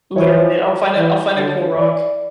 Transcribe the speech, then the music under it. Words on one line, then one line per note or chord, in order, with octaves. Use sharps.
Literally, I'll find a I'll find a cool rock.
E3 C#5
E3
D3
E3 D5